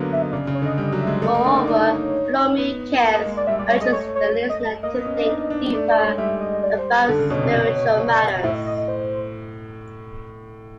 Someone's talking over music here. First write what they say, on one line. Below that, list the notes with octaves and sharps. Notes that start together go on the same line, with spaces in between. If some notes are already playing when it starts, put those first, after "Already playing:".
Moreover, "Blow Me a Kiss" urges the listener to think deeper about spiritual matters.
Already playing: D3 F#3 A#3 B3
E5
D#5
C#3 D5
C#3
C#5
D3 D#5
G3 D#5
F#3
E5
G#3
A3 D#5
A#3
D4 D#5
D5
D#4
D#5
D#4 D5
C#5
B3
A#3
D#5
G#3
D5
G3 E5
G3 D5
G#3 C#5
A3 D#5
C#5
C#5
D#5
A#3 D#5
B3
C#4
D4
D#4
D4
A3 D5
A3 D5
G#3 C#5
G3 E5
D#5
D5
C5
D3 A4
C#3
B2 C#5
C3
B2 D5
C#5
C#5
D#5
C#5
D5
D#5
A2 E5
D#5
D#5
D#5
C5